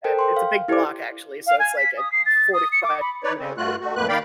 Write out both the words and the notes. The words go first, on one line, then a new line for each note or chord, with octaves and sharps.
uh, it's a big block, actually, so, it's like a forty-five-minute walk.
A4 A#4 C5 G5
G5 C6
F5
E4 G4 A4 C5 D5 D6
F5
G#5
B6
D#6
C7
A6
D#6
C#7
D6
B5
D#4 B4 C#5 D5
C#3 C4
G2 A3 F4 F#4 F#6
A3 F#4
F2 A2 A#3 B4 F#6
D#3 A#3 D5 F5 G5 B5